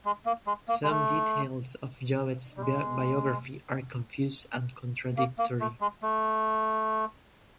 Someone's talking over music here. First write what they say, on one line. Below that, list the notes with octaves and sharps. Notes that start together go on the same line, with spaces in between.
Some details of Llobet's biography are confused and contradictory.
G#3
A#3
G#3
A#3
G#3
A3
G3
G#3
A#3
A#3
A3
G#3
A3